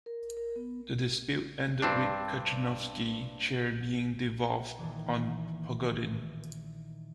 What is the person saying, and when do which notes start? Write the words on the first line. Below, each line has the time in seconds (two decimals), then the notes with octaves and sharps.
The dispute ended with Kachenovsky's chair being devolved on Pogodin.
0.06 A#4
0.37 A#4
0.56 B3
1.82 G2 C4 D4
4.78 A#2 D#3 E3